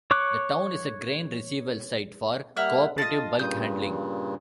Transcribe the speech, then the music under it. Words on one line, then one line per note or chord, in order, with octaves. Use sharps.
The town is a grain receival site for Cooperative Bulk Handling.
C#5 C#6 D6 F#6
G3 A#3 E5 F#5 F6
F4 D#5 A5
G2 A#2 C#3 D#6 G6